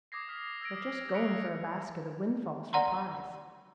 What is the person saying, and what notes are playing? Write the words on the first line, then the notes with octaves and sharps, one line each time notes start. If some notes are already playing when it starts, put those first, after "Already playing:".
We're just goin' for a basket of wind-falls for pies.
D6 D#6 G#6 A#6 C7
D#6 F6 B6
E6 G#6 A#6 D7
D#6 B6
F#6 B6 C#7 D7 F7
D5 F#5 A#5 C6